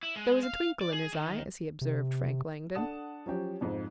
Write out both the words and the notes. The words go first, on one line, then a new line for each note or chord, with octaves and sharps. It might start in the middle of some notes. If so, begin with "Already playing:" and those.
There was a twinkle in his eye as he observed Frank Langdon.
E4
G#3
F5
D5
G#4
D#3
C3
D4 A4 F#5 A5 D#6 E7
F3 F#3 C#4 G4 C#5
F2 G#2